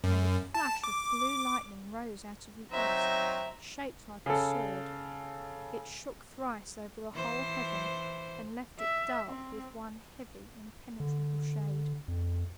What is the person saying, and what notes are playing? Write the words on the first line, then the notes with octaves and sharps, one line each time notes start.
And a flash of blue lightning rose out of the East, shaped like a sword; it shook thrice over the whole heaven and left it dark with one heavy, impenetrable shade.
F#2
A5
D6
F#3 C4 D#4 E5 A#5
C#3 A4
E3 C5
E5
C4
D3
F2